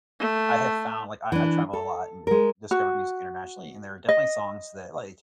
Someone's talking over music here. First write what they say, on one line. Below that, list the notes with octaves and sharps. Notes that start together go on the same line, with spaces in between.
I have found like, I I travel a lot and discover music internationally, and there are definitely songs that like
A3
E3 D4
A4
G#3 A#4
F#4
D#5